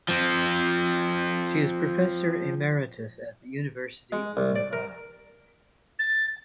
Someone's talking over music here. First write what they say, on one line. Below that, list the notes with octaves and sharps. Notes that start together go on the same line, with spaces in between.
She is Professor Emeritus at the University of Navarre.
F3 C4
G#3
C2
D5
A#4
A6